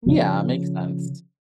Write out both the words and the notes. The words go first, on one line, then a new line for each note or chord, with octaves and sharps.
Yeah, makes sense.
C#3 F3